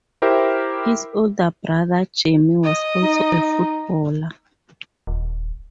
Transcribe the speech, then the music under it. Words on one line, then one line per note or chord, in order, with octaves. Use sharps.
His older brother Jamie was also a footballer.
E4 G4 A#4 C5 E5
D#5
D#4
D#1